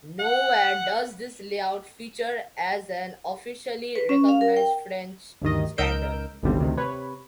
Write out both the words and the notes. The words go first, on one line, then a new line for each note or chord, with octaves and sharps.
Nowhere does this layout feature as an officially recognized French standard.
F#5
B4
C#4
F5
A#4
G5
D2 G2 D#3 D#5
C#2 D#4 A#4 E6 G6 D7
G#1 D#2 B2 D3 G3 C4
D2 C3 D#3
C3 B4 C#5